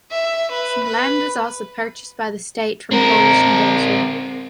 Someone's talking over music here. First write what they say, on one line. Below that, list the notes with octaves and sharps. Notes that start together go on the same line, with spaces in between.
Some land was also purchased by the state from Polish nobility.
E5
B4
B4
C4 A#4